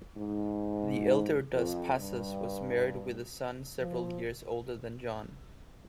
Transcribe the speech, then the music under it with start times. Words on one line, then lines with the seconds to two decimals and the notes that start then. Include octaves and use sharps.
The elder Dos Passos was married with a son several years older than John.
0.17 G#2
1.53 F2
1.99 G2
3.80 F3